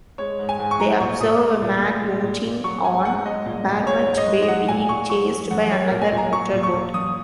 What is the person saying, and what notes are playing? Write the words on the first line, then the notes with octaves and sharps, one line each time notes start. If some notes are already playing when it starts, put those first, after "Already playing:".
They observe a man boating on Barmet Bay being chased by another motorboat.
G#3 C#5
G#2
G#5
G#2
C#6
F#3 A#5
A#2 C#6
A#2 D#6
G#3
A#2
A#2
G#3
A#2
A#2
F#3 C#6
G#2 G#5
G#2 F#5
G#3 D#5
A#2
A#2
G#2 C#5
G#2
D#5
G#3
D#5
F#3 F#5
A#2 G#5
A#2 C#6
F#3 C#6
F#2
F#2 F#5
F#3 C#5
A#4
A#2
G#5
A#2
A#5
F#3 C#6
A#2
C#6
A#2
F#2 D#6